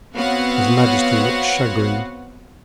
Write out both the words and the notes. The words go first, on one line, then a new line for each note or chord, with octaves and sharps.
His Majesty looked chagrined.
B3 C4 F#4 C#5 F5 F#5